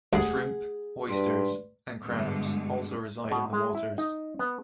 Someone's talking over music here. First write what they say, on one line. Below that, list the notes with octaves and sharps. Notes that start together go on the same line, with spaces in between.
Shrimp, Oysters and crabs also reside in the waters.
D2 G3 G#4 F#5
G2 B4 D5 C6
G2 B2 D3 G#3 A3
B2
G#3
E4
D#4
B3